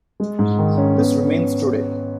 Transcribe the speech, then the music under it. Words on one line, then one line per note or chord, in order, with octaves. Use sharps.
This remains today.
G#3
G#2
D#3
C#4
B3